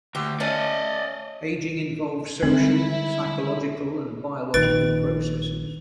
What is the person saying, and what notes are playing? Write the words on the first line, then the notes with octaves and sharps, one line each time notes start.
Aging involves social, psychological, and biological processes.
D2 G4
A3 C#4 D5 D#5
D3 G3 G#3 C4 E4
A#1 D#3 B4 A6 D7